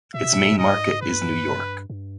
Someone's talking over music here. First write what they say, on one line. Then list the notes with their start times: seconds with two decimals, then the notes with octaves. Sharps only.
Its main market is New York.
0.14 A#2 E5
0.24 B2
0.32 A#2
0.52 G2
0.58 G#2 D#5
1.02 G2 B4
1.90 G2